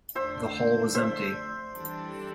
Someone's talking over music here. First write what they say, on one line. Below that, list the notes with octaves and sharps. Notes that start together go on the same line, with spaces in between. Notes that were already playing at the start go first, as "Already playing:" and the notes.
The hall was empty.
F2 D3 A3 D4 C5 E5
C5 E5
E3 G3 D4 A4